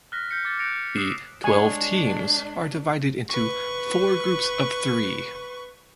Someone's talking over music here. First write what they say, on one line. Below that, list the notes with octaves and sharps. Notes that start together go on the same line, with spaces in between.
The twelve teams are divided into four groups of three.
F6 F#6 A#6 B6
F6 G6 A#6 B6 C#7
D6 F6 A6
G6 A#6 C#7 D7 F7
F#6
D#6 E6 F#6 C7 E7
G#3 D4 C#5 G#5
B4 C#6